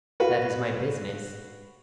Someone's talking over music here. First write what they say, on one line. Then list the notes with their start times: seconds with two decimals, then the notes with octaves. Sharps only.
"That is my business."
0.20 F#4 B4 F5